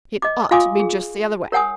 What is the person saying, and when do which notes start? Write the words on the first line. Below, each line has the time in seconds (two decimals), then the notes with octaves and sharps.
It ought to be just the other way.
0.22 D#5 D6
0.51 F4 F5 G#5 C6 D6 D#6
0.80 G#4
1.52 A#4 C#5 F#5 G#5 D#6